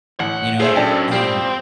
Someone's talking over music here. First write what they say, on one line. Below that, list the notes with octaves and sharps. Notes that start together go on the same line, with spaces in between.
you know, um,
A1 F#5
F3 A3 G#4 C5 E5
F#2 D4 A4 G5
F3 G3 C4 G4